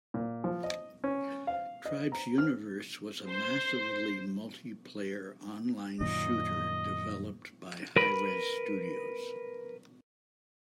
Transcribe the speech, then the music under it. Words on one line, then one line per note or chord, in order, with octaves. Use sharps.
"Tribes Universe" was a massively multiplayer online shooter developed by Hi-Rez Studios.
A#2
F3
D#5
C#4
F5
D#5
A#5
F6
C5
F#2 A#2 D#3 D#5
A#4 B4 B5